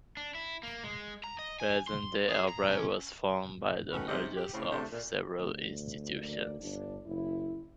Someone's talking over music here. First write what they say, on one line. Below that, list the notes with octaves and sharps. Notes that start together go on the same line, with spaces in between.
Present-day Albright was formed by the mergers of several institutions.
D4
E4
A#3
G#3
A#5
D#5
G#5
C6
G#4
A#5
C#4
D#3 A3 C#4 F#4 B4
E2 G#2 C3 C#4 G4 D#5
G4
A2 C#3 C4
E2 A2 C3 F3 A3 D4
A#2
D2
F#2 A#3 D5
G1 D4
F#1 E4